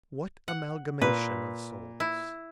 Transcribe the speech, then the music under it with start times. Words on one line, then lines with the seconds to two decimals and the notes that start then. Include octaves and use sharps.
What amalgamation of souls!
0.48 F#5
1.01 A#2 B4
2.00 E4